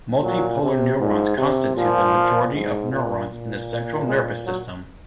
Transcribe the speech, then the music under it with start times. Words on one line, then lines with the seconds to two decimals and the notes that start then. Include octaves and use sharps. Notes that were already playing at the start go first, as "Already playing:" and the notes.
Multipolar neurons constitute the majority of neurons in the central nervous system.
0.23 A#2 F#3
0.62 C3
1.00 G#2 F3
1.38 C3
1.77 A#2 F3
2.16 A#2
2.54 G#2
2.92 A#2
3.31 A#2
4.08 G#3
4.45 F#3